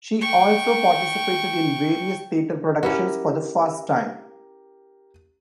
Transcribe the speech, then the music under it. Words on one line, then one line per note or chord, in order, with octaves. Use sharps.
She also participated in various theater productions for the first time.
G5 C#6
C#4 E4 F#4 G4 A#4